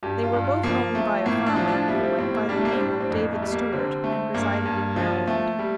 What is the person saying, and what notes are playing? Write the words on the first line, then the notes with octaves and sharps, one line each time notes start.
They were both owned by a farmer, who went by the name of David Stewart, and resided in Maryland.
G2 G4
F4
G2
F4
F3 A#3
A3
A2 A#3
D4
F3
D4
G3 E4
C4
A2 C4
A#3
G3 D4
A3
A#3
C4
A2 D4
C4
F2 A#3
A3
G3
A#3
D3 C4
A3
G2 A#3
G2
F3
A3
G3